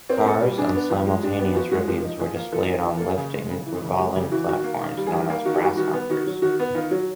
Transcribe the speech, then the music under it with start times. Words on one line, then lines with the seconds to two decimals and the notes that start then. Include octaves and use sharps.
Cars and simultaneous revues were displayed on lifting, revolving platforms known as "grass-hoppers".
0.10 C4
0.17 A#4
0.26 A#2 A4
0.42 G3
0.52 G4
0.58 D4 G#4
0.75 B3
0.90 F3
1.07 G#3
1.23 D4 G4
1.39 B3 G4
1.55 F3 F#4
1.71 G#3 F#4
1.88 F3 G4
2.04 D#4
2.20 F3 G#4
2.36 A#3
2.53 F3 A4
2.70 D#4
2.85 F3 G#4
2.98 A#3 A4
3.08 G#4
3.17 C#3
3.34 G#3
3.50 C#3
3.66 E3
3.84 C#3
3.99 G#3 G4
4.16 C#3 G4
4.32 E3 F#4
4.48 D#3 F#4
4.64 A#3
4.81 D#3
4.97 G3
5.07 G#4
5.13 D#3 G4
5.30 A#3
5.45 D#3 F#4
5.54 G4
5.62 G3 F#4
5.77 D#3 F#4
5.93 B3
6.10 D#3 F#4
6.27 F#3
6.42 D#3 F#4
6.60 B3
6.75 D#3 F4
6.91 F#3